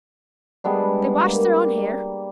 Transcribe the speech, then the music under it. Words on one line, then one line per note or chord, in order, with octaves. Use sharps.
They washed their own hair.
G3 G#3 B3 D4
A#3